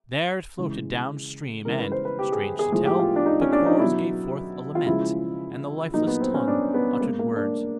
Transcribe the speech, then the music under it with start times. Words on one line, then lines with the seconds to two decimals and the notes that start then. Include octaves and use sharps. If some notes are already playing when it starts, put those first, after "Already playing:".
There it floated down stream and, strange to tell, the chords gave forth a lament, and the lifeless tongue uttered words.
0.58 C#3 E3 G#3
1.65 C#3 E3 G#3 A#4
1.79 B4
1.92 C5
2.05 B4
2.19 G4
2.32 G#4
2.59 G#4
2.72 A2 F3 G#3 G#4
2.86 G4
2.99 F4
3.16 D4
3.26 D#4
3.42 C#4
3.53 D4
3.66 D#4
3.79 B2 F#3 E4
4.75 F4
4.86 C#3 F3 G#3 E4
5.94 A#2 F#3 D#4
6.07 B3
6.20 C4
6.34 C#4
6.48 D4
6.74 B3
7.01 B2 G#3 A#3
7.19 A#3
7.36 D4